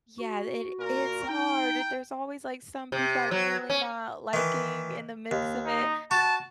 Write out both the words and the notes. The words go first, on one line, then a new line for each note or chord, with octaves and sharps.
Yeah, th it it's hard, it there's always, like, some people I'm really not liking in the mix of it.
F#4
A#2 A#4
D#4 G5
C3
F#3
C#4
D#3 E3
D#2
D#4
F#4 A5